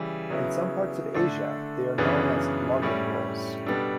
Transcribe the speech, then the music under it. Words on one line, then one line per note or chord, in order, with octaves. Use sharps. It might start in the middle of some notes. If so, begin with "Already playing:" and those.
In some parts of Asia they are known as "laugen rolls".
Already playing: C#3 E3 G3
C#3 F#3 B3 E4
D3 A3 D4
F#2 C#3 E3 B3 D4
A2 G3 C#4 E4
B2 G3 B3 D4 A4